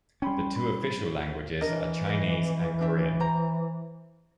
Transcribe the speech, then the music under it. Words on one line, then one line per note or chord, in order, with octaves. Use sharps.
The two official languages are Chinese and Korean.
G3 C#4 G5 B5 C6
B5
E3 D4 A#4 D#5
B4 D#5
D4 G4 E5
C5 A#5